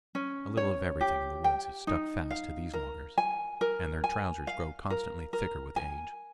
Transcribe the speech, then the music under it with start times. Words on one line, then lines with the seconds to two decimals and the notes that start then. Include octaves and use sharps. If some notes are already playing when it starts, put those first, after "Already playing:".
A little of everything in the woods is stuck fast to these loggers, and their trousers grow constantly thicker with age.
0.15 C#4
0.57 C#5
1.01 G4
1.44 G5
1.87 D#4
2.31 F5
2.73 A#4
3.18 G#5
3.61 A#4
4.04 G#5
4.47 F5
4.90 A#4
5.33 A#4
5.76 G#5